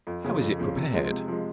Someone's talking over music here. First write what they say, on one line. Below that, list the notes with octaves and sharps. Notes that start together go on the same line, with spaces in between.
How is it prepared?
F2
C#3 F3
F2
C#3 F3
C3
F3 G#3
C3
F3 G#3